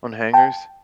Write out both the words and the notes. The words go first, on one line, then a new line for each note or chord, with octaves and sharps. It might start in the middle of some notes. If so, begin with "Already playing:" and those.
On hangers?
G5 A5